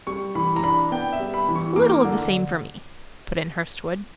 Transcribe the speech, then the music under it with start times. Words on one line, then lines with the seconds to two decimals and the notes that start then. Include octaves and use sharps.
"A little of the same for me," put in Hurstwood.
0.07 G3 C#6
0.35 E3 B5
0.56 A#5
0.63 D4 B5
0.91 B3 G5
1.13 E5
1.20 G3
1.34 B5
1.48 E3
1.56 C#6
1.76 A#3 D6
2.05 D3